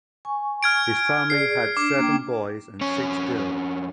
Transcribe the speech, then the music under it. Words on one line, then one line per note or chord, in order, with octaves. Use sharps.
His family had seven boys and six girls.
G#5 C#6
F6 G#6 D7
G#4 D5 C7
D4 D6
A#3 D4 G5
F2 C#4 C#5